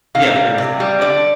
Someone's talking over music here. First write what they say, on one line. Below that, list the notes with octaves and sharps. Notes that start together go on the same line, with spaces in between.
Yeah, fear of missing out, yeah.
C3 F5
G3
C3
G3
D3 D5